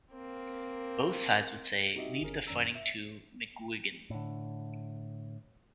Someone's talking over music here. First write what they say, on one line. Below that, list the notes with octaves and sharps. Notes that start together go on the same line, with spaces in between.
Both sides would say: 'Leave the fighting to McGuigan.
A#3 C4
C4 D#4 F#4 G4 D#5 E5
G1 C#4 G#4 A#4
F#2 D#3 C#4 D5 A#5 E6
E5
A2 D3